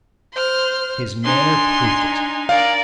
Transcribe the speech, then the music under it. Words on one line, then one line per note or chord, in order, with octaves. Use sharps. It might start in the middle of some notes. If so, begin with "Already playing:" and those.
His manner proved it.
C5 F6
D4 D#4 G#5 C6
A#4 D5 F5